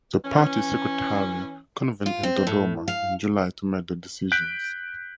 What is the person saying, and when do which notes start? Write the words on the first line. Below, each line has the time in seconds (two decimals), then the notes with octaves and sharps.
The party secretariat convened in Dodoma in July to make their decisions.
0.24 E3 C#4
2.06 F4
2.23 C4
2.47 A2
2.88 F5
4.32 F#6 G6 B6 D7